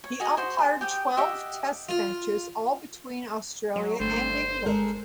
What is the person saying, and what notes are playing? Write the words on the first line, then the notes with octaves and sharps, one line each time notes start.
He umpired twelve Test matches, all between Australia and England.
C#5
F#4 G#4 D#5 G#5
F#4 C5 C6
G#4
G4 G5 D#6
G4 D#5 E5 F#5
F4
F#3 D#5
G1 D3 G3 A3 C5
G#3 A4 A#4